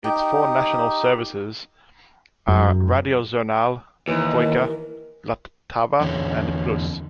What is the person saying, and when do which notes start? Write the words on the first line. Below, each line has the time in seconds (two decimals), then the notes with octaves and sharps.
Its four national services are Radiožurnál, Dvojka, Vltava and Plus.
0.04 D#4 G4 G5
2.48 F#2
4.08 D#2 E3
4.41 A#4
6.01 E2 D3 C#4